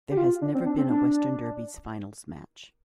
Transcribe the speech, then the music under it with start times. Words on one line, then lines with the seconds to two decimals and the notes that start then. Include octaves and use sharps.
There has never been a Western Derby finals match.
0.11 G4
0.17 F4
0.41 D4
0.54 C4
0.66 D4
0.77 C4
0.90 D4